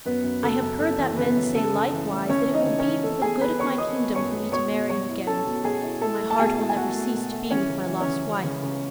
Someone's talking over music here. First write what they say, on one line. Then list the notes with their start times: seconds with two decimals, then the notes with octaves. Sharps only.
I have heard that men say, likewise, that it will be for the good of my kingdom for me to marry again, though my heart will never cease to be with my lost wife.
0.05 F#2 B3 B4
0.24 F#2
0.43 C#3 A4
0.62 F#2
0.80 F#2 A4
0.98 E3
1.17 C#3 B3 B4
1.36 F#2
1.55 C#3 A4
1.73 C#3
1.92 E3
2.10 A3
2.29 C#3 C#4 C#5
2.48 E3
2.54 D#4 D#5
2.66 C#3
2.79 C#4 C#5
2.85 E3
3.03 E3 A4
3.22 B3 G#4 G#5
3.41 B3 B4 B5
3.59 B3 C#5 C#6
3.78 B3 D#5 D#6
3.97 B3
4.15 F#2 C#5 C#6
4.34 B3
4.52 B2 C#5 C#6
4.72 B2
4.89 F#3 C#5 C#6
5.09 E4
5.27 C#4 A4 A5
5.46 B2
5.64 B2 G#4 G#5
5.83 E4
6.01 E4 A4 A5
6.20 A3
6.30 A5
6.38 B2 G#4 G#5
6.57 E4
6.69 G#5
6.76 B2 F#4 F#5
6.95 A3
7.14 B2
7.32 A3
7.51 E3 C#4 C#5
7.69 C#2
7.88 E3
8.00 C#4 C#5
8.07 C#3
8.25 C#3
8.44 C#3
8.63 C#2